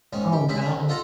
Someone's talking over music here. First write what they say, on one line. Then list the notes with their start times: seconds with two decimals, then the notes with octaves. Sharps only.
Oh, no.
0.13 G#2 D#3 C#4
0.32 G4
0.49 E2 C#3 G#3 E4 B5
0.61 C#4 D4
0.75 C2
0.89 D#4 F4 A4 F#5 A5 A#5